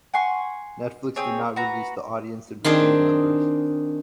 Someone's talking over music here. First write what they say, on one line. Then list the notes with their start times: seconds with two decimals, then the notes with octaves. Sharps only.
Netflix do not release the audience and review numbers.
0.14 F#5 G#5 C6 C#6
1.16 C4 G#4 C#5
1.56 F#4 B4 A#5
2.64 D#3 C4 D4 G#4